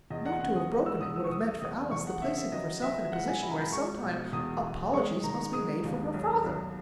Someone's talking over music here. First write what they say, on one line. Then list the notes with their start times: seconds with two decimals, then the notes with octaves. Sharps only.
Not to have broken it would have meant, for Alice, the placing of herself in a position where, sometime, apologies must be made for her father.
0.10 E2 D#5
0.26 F#5
0.41 C#3 F#5
0.56 D#6
0.71 G#3
0.86 E6
1.01 E2 D#6
1.16 E6
1.24 C#6
1.31 E2 D#6
1.61 E2 D#6
1.91 E2 C#6
2.07 F#5
2.22 C#3 E5
2.37 E5
2.52 F#3 D#5
2.82 F#3 E5
3.12 C#2 F#5
3.27 G#5
3.42 C#2 B5
3.51 A#5
3.57 B5
3.72 G#3 C#6
4.03 B2
4.33 E2 D#6
4.63 B2
4.93 G#3 C#6
5.23 D#3 A#5
5.53 G#3 D#6
5.84 D#2
6.14 B1
6.44 B1